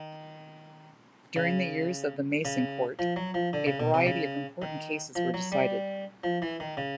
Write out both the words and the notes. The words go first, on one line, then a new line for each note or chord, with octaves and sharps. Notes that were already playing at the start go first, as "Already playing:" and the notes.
During the years of the "Mason Court", a variety of important cases were decided.
Already playing: D#3
C#3
C#3
F3
F#3
F3
D3
C#3
B2
C3
C#3
D#3
F3
F#3
G3
F3
E3
D#3
C#3